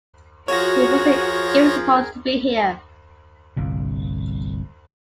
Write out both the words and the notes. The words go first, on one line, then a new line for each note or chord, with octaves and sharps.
He wasn't even supposed to be here.
F3 F#4 G#4 A#4 C#5 A#6
G1 C2 A#2